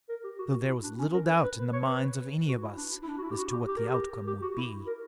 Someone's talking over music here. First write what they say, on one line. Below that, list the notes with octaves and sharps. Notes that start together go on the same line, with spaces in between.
Though there was little doubt in the minds of any of us as to what the outcome would be.
A#4
G4
F#4
F#4
E4
D4
C#4
A#4
B4
B4
B4
C#5
B4
F#4
E4
D4
E4
D4
F#4
E4
G4
F#4
G4
G4
A#4
G4
G4
F#4
E4
A#4